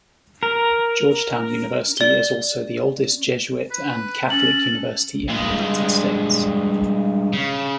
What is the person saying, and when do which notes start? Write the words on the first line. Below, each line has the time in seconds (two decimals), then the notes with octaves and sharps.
Georgetown University is also the oldest Jesuit and Catholic university in the United States.
0.43 A#4
1.97 D5 G7
3.71 B4
4.30 C#4 A4 F#7
5.28 G2 G#3
7.33 C#3